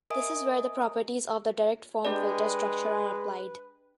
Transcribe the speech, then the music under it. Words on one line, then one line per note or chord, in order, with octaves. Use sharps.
This is where the properties of the direct-form filter structure are applied.
A#4 D#5 E5 G#5 D#6 D7
G#3 D4 G4 B4 D5 D#5